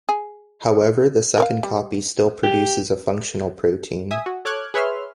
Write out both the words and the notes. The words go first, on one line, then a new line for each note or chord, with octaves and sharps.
However, the second copy still produces a functional protein.
G#4
A#4 C#5 F5
G3
G4
E5 G#5 D#6
F#4
A4 C#5 D6 F6 F#6 G#6
G#4 B4 C#5 E5 C6 F6